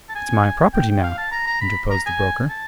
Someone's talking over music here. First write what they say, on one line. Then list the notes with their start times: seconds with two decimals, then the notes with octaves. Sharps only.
"It's my property, now," interposed the broker.
0.09 A5
0.15 G#5
0.74 G5
0.89 G5
1.03 F5
1.18 A5
1.32 A#5
1.47 A#5
1.61 B5
1.91 A#5
2.06 G#5
2.49 A5